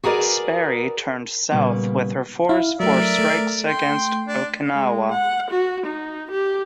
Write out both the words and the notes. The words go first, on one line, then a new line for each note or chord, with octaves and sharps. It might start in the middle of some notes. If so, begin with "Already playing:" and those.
"Sperry" turned south with her force for strikes against Okinawa.
F#4 G#4 A#4 B4 D5
A#2 C#3 G3 A#3 B3
E4 F5
F#3 A3 A#4 D5 E5
A3
G5 C6
D4
G#3
F#5
F#4
D#4
G4